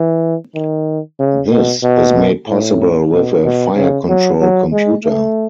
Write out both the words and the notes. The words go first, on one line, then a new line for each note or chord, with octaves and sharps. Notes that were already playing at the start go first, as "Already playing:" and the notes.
This is made possible with a fire control computer.
Already playing: E3
D#3
C#3
B2
B2
A2
B2
B2
C#3
F#3
F#3
G#3
A3